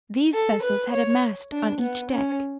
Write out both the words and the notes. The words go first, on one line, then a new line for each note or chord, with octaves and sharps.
These vessels had a mast on each deck.
A4
B4
C#5
D4
B3
C#4